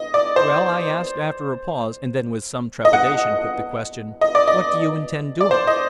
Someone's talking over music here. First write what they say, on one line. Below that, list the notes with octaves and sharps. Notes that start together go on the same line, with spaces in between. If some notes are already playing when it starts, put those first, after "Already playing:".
"Well," I asked after a pause, and then with some trepidation put the question, "what do you intend doing?"
Already playing: D#5
D5
C5
D#5
F#5
D#5
D5
D#5
D5
C5
D#5